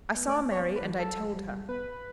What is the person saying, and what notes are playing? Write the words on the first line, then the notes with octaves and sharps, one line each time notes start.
"I saw Mary, and I told her."
B3
A3 D5
B3
C#5
B3
B4
E3
F#3 A4
G3
B3 B4